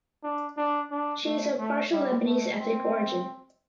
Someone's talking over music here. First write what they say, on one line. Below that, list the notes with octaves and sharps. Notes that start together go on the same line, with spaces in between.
She is of partial Lebanese ethnic origin.
D4
D4
D4
A3
A3
G3
A3
C4